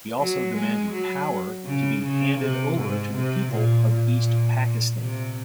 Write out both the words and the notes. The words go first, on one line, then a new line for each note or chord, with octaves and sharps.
He also demanded power to be handed over to the people of East Pakistan.
F#3
G#3
F#3
C#3
C#3
C3
G#2
C3
A#2
A#2
C3